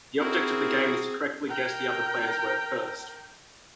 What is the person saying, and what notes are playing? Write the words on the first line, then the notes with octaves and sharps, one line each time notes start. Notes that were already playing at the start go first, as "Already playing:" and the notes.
The object of the game is to correctly guess the other player's word first.
C4 E4 F#4 G#4 A#4
A#4 G5